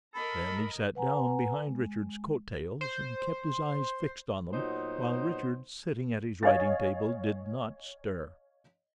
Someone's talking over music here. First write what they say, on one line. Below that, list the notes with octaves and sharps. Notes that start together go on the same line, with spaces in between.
Then he sat down behind Richard's coat-tails and kept his eyes fixed on them, while Richard, sitting at his writing-table, did not stir.
A4 A#4 D#5 A#5 B5
B4 F#5 G#5 A#5
G#3
C5
A#2 F#3 B3 D#4 C5
C#5 D#5 F5 G#5 A6